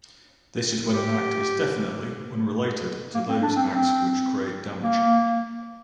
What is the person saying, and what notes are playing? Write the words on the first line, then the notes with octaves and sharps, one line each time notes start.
This is when an act is definitely unrelated to those acts which create damage.
G4
A#3
C4
D4
C4
C4
A#3